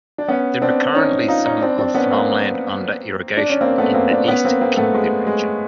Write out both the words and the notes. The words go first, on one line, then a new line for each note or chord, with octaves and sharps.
There are currently some of farmland under irrigation in the East Kimberly region.
D4
B3 C#4
C4 D4
C#4 D#4
D#4 F4
C#4 D#4
C4 D4
C4 D4
B3 C#4
A#3 C4
D4
C#4
A#3 C4
A3 B3
A#3 C4
C4 D4
B3 C#4
A#3 C4
A#3 C4
A3 B3
G#3
G#3